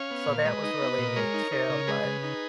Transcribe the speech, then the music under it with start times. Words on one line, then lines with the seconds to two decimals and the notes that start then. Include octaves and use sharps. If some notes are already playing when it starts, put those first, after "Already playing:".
So that was really neat, too, but,
Already playing: C#4 C#5 F5
0.11 B3
0.28 A#2
0.39 C#5
0.45 G#3 B4 D#5
0.64 D#4
0.82 B3
0.98 A#2
1.16 G#3 A#4 C#5
1.34 D#4
1.52 D#4
1.70 C#3
1.87 G#3 G#4 B4
2.04 C#3
2.23 D#4